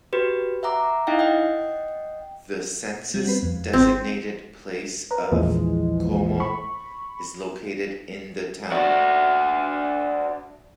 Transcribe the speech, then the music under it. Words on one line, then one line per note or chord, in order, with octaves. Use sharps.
The census-designated place of Como is located in the town.
F#4 G4 B4
E5 F#5 A#5 D6
D#4 E4 D#5 F5 G5
D#5 F#5 G5
G3 F#4
B3 C4 B4
F2
G#1 C4
A#4 B4
A#1 E2 A#2 E3 F3 G#3
B5 C#6
D4 F#4